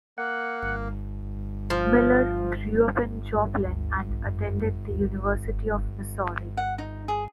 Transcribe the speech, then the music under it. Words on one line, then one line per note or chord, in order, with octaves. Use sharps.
Miller grew up in Joplin and attended the University of Missouri.
A#3 F#5
F3
G2
D2
A#1
F#2
D#2
G#1
F#1
F#5
D#4
G#4